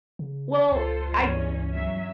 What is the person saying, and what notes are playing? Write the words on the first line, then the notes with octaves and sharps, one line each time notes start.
Well, I
C#3
C#2 F4 A4 C5
E2 G2 C#4
F#3 C#4 E5